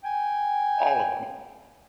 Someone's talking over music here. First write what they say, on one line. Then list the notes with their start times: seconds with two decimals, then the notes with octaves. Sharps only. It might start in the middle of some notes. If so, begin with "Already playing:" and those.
All of 'em.
0.04 G5 G#5